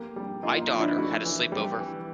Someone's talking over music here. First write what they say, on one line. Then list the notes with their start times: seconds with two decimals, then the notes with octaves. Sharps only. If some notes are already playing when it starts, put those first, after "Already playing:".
My daughter had a sleepover.
Already playing: A#3 G4 A4
0.16 G3
0.43 A#3 D#4 F4
0.62 D#4
0.71 F3
0.79 D4 E4
0.98 A3 E4 F#4
1.25 E3
1.52 G3
1.79 E3